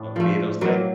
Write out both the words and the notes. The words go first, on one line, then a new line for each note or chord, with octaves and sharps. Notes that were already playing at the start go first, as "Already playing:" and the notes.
Oh, the Beatles thing?
Already playing: A2 D4
F3 A3
F#3 A#3 C4